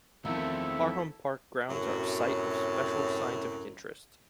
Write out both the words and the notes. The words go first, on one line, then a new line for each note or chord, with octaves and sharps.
Parham Park grounds are a Site of Special Scientific Interest.
E2 D#3 F3 A3 C4 E4 A4 E5
F#2 A2 C3 F#3